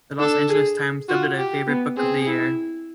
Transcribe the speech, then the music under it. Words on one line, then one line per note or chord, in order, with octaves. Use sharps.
The "Los Angeles Times" dubbed it a "favorite book of the year".
D4 A4
G#4
F4 F#4
G4
B3
C4 G#4
E4